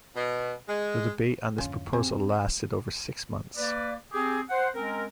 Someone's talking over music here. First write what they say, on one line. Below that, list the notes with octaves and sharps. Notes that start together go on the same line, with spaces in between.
The debate on this proposal lasted over six months.
B2
G#3
F2 G#2 D3 C#4 F4
C4 G4 G#4 C5
A#3 B4 D5
C4 G4 G#4
C5 F#5
G#3 C4 C#4 A#4